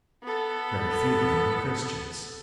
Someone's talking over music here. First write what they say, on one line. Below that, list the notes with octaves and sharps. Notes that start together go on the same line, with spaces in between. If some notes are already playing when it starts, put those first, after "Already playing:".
Very few of them were Christians.
B3 A4